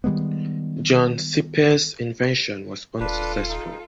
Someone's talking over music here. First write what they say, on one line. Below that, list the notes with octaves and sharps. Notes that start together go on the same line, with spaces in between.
John Sipe's invention was unsuccessful.
D#3 G3 G#3 B3
D#1 D4 F4 A4 B4
D#4